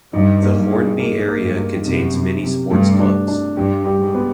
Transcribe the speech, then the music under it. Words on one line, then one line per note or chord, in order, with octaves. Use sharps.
The Hornby area contains many sports clubs.
G2 D#4
A#3
G2
G#4
G#2 A#3
A#3
G2
A#3
F#2 C3
C3
C3
G2 A3
D4
D4
G2 G4
G4
G#2
B3